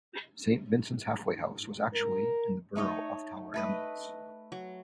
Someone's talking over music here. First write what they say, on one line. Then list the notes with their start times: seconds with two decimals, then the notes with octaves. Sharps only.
'Saint Vincents Halfway House' was actually in the borough of Tower Hamlets.
1.93 A#4
2.76 A3 D#4 C#5 D#5
3.54 A3 B4 D#5
4.52 F#3